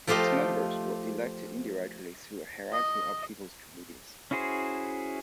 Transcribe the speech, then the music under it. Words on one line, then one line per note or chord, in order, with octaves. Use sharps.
Its members were elected indirectly through a hierarchy of people's committees.
F3 A3 F4 G4 C5 D#5
D#5
C#4 E4 F#4 G#4 C5